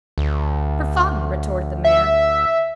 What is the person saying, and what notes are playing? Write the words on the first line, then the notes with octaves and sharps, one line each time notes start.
"For fun," retorted the man.
D2
E5